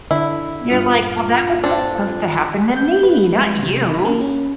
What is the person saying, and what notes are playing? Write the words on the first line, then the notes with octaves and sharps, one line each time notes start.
you're like, "Well, that was supposed to happen to me, not you."
D3 E4
G2 A#2 F6
C4 D4 A4
G6
B4
G#3
C3
B5
A#3
C#4